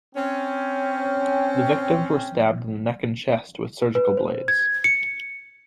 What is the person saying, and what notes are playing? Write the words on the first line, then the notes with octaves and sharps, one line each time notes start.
The victims were stabbed in the neck and chest with surgical blades.
C4 C#4 G5
B4
C5
G#6
C#7